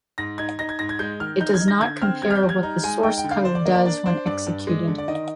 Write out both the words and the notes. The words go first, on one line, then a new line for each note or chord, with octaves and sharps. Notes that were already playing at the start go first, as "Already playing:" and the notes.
It does not compare what the source code does when executed.
G#2 A#6
D#4 G#6
D#4 A#6
G#6
G#2 A#6
G#6
G#3 G6
D#3 F6
D#4 G6
G#6
D#4
A#6
D3 G#6
C4 F6
G3 G#6
F6
G6
G3
G#6
D#4 A#5
G#3 G#5
D#4 G5
G5
D3
F5
D4 C5
D5
A#3 D#5
D5
D4 D5
D4 C5
G2 D5
G2
G#3
D3
D5
D#3 D#5